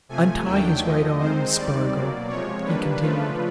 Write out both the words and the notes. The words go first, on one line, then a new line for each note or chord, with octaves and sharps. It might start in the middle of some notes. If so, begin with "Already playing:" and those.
"Untie his right arm, Spargo," he continued.
C3 F3 A3 G#5
D#2 D#3 F#3 A3 D4 G5
D#2 D3 F3 A3 D#5
D#3 G#3 C4 D#4 C5
D#2 D#3 G3 C4 D5
B2 F#3 A#3
C3 F3 G#3 C#5
D#3 G3 A#3 D4 B4
C#3 F3 A3 D4 F4 B4